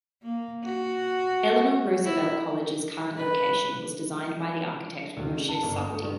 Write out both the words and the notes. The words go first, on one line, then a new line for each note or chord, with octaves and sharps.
Eleanor Roosevelt College's current location was designed by the architect Moshe Safdie.
A#3
F#4
E4
B4
D2
C#3
A5
G1
D#6
A3
G2